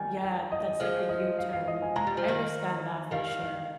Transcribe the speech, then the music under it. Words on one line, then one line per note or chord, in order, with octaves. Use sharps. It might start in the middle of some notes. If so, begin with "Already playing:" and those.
yeah, that's, like, a U-turn. I understand that for sure.
Already playing: D#3 G3 G#5
G5
D#5
F3 G#3 F5
D#5
F5
F5
D#5
G#5
G#3 A#5
G3
F3
D#3 G3 F5
D#3 G3 F5
F5